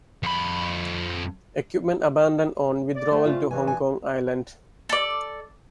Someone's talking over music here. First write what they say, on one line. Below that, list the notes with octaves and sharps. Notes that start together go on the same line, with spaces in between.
Equipment abandoned on withdrawal to Hong Kong island.
F2 B5
D5
F3 G3 A3 G#4
C#3 F4
G2 E3 G#5
G#5
A4 D5